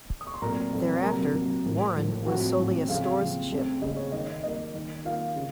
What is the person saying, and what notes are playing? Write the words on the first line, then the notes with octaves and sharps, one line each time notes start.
Thereafter, "Warren" was solely a stores ship.
D#6
C#6
C6
A#2 F#3 A3 C4 A#4 A#5
A#2 F#3 A3 C4
C3 F#3 A#3 A#4 A#5
C3 F#3 A#3
A2 F3 A#3
A2 F3 A#3
A2 F3 C4 F#4 F#5
A2 F3 C4
C#3 F3 A3 C4 F4 F5
C#3 F3 A3 C4
C#3 A3 C4
C#3 A3 C4 D#5
C#5
D#3 A#3 D#5
D#5
D#3 A#3 D#5
D#3 A#3
D#3 A#3 F4 F5
C#3